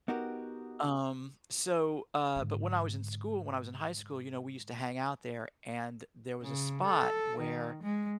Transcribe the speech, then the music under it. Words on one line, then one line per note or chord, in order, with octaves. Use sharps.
um, so, uh, but when I was in school- when I was in high school- you know, we used to hang out there, and there was a spot where
B3 D#4 F#4 G4 A#4
G#2 D3
C#3
A4
D#3
G#3